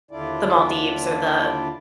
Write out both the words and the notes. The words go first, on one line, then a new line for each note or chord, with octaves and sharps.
the Maldives or the,
D#2 D3 D4 E4 F4 D5